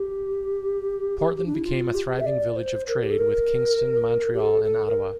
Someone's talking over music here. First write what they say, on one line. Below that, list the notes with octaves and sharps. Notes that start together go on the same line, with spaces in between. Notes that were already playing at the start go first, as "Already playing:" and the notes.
Portland became a thriving village of trade with Kingston, Montreal and Ottawa.
Already playing: G4
D4
E4
F4
G4
E5
D5
C5
A#4
G4
A4
A#4
G4
A4
A4
A#4